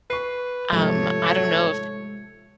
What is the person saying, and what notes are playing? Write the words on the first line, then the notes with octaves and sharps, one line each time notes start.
Um, I don't know if
B4 C#6 C7
G#2 C3 F3 A3 C#5